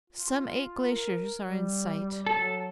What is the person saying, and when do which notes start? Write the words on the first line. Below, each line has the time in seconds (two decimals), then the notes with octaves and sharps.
Some eight glaciers are in sight.
0.10 F4
0.86 A#4
1.45 G3
2.26 F#3 A4